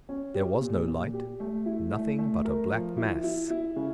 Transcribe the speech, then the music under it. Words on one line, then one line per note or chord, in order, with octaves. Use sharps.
There was no light; nothing but a black mass.
C#4
G4
A#2
A#2
G4
A3
E4
A3
A3
A#4
F3
E4
E4
E4
C#3